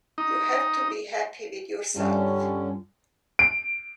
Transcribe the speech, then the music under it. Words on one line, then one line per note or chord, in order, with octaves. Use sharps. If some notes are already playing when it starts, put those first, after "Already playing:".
You have to be happy with yourself.
D#4
G2 D3 G3 C#4 F4 A5
D7